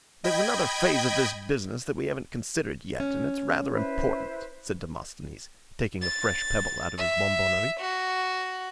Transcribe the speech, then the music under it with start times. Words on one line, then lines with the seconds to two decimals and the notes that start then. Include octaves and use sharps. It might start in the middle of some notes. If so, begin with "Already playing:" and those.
"There's another phase of this business that we haven't considered yet, and it's rather important," said Demosthenes, taking a fresh pebble out of his bonbonniere.
0.24 D#5 G5 B5 G#6
3.00 C#4
3.71 E4 B4 C5
6.02 A6
6.98 E5
7.80 F#4